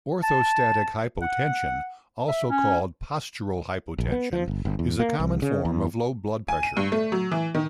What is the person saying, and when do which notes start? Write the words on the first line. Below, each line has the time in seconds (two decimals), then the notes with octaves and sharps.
Orthostatic hypotension, also called "postural hypotension", is a common form of low blood pressure.
0.23 A5
1.22 F#5
2.28 E5
2.49 C#4
3.98 A#1
4.12 B3
4.33 F3
4.48 G1
4.65 G1
4.79 E2
4.99 A#3
5.20 C2
5.42 C#3
5.65 E2
6.48 G#5
6.63 D#7
6.77 G2
6.92 A3
7.12 F#3
7.32 E3
7.55 D#3